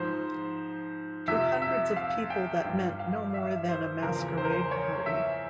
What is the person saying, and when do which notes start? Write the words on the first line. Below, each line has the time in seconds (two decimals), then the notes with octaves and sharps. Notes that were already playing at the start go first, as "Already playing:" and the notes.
To hundreds of people that meant no more than a masquerade party.
Already playing: G#2 F3 C5
1.28 F2 C3 F3 E5
1.62 E5
1.96 F5
2.30 G5
2.65 G2 F3
2.99 F5
3.34 E5
3.68 C5
4.02 E2 C#3 F3 A#4
4.38 C5
4.45 A#4
4.52 C5
4.71 C#5
5.06 E5